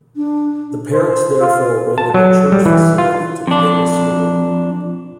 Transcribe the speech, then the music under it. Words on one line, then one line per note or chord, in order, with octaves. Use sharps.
The parents therefore rented a church facility to begin the school.
D4
C5
F4
A5
F#3
G3
E3
F4
F2 D4